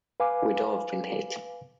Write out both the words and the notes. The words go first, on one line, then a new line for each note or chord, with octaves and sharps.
We'd all been hit.
B4 F5 G#5 D6